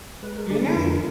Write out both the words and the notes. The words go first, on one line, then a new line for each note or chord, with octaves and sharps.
I know.
G#3 B4
A#4
D3 D5
B4
F2 A#4